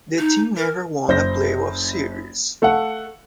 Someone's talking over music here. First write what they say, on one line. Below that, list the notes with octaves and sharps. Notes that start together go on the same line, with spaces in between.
The team never won a playoff series.
D#4
A#4
F#1 C5 G6 A#6
A3 A4 F5 F#5